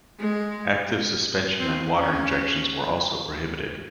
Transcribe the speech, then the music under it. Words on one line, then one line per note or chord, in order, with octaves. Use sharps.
Active suspension and water injections were also prohibited.
G#3
C4
C#4